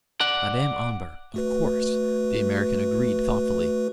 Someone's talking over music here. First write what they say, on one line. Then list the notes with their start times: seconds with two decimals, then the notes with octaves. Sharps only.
"Madame Omber--of course!" the American agreed thoughtfully.
0.21 D5 F#5
1.34 A3 F#4 B4